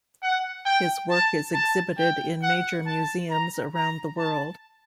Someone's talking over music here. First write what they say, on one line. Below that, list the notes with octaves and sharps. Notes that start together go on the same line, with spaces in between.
His work is exhibited in major museums around the world.
F#5
G5
A5
A5
G5
F#5
A5
A#5
A#5
A5